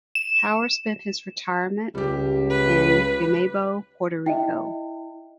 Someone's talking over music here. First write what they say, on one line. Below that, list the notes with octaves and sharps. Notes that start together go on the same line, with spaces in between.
Power spent his retirement in Guaynabo, Puerto Rico.
E7
C#2 G3 G4
B4
E4 D#5 E5 G5